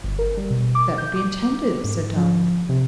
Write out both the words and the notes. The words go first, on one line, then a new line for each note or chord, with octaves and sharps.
"That would be intended," said Dolly.
G1
A#4
G3
B2
D6
G6
D6
G#2
F3
C3